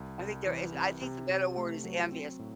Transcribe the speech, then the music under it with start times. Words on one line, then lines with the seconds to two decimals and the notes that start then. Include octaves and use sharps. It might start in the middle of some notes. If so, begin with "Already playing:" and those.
I think there is I think the better word is envious.
Already playing: C2
0.19 C2
0.46 E3
0.74 C3
1.01 C3
1.29 C3
1.57 A3
1.84 F#3
2.12 C4
2.39 A2